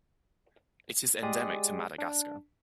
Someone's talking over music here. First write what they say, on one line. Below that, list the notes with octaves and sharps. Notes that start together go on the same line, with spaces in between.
It is endemic to Madagascar.
G#3 G4 G#4 D5 D#6
D4